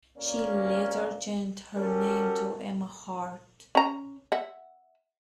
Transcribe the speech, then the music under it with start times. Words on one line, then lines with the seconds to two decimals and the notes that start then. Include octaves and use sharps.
She later changed her name to Emma Hart.
0.18 D2 A#3 C#4 A#4 D5
1.77 C#4 F#4 G4 A4 A#4
3.75 C#4 A#5
4.32 E5 F#5